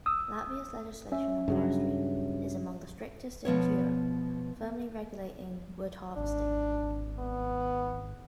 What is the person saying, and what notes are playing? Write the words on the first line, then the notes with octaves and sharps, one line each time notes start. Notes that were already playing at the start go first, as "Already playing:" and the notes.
Latvia's legislation on forestry is among the strictest in Europe firmly regulating wood harvesting.
D#6 E6
C#4 E5
G2 C#3 F#3
B2 F3 B3 C#5
G#1 D4
B3